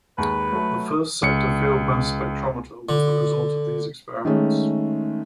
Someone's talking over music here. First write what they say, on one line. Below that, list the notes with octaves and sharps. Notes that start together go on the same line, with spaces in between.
The first sector field mass spectrometer was the result of these experiments.
D#2 G#3 B4
F#3 A3
C#2 C#7
D3
D#3 G#3 A3 C#4